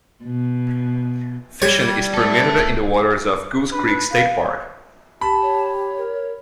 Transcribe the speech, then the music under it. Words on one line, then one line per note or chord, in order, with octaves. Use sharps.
Fishing is permitted in the waters of Goose Creek State Park.
B2
G3 C#5
A3 A4
D4 B4
F5
G4 A5 B5
C#5
A#4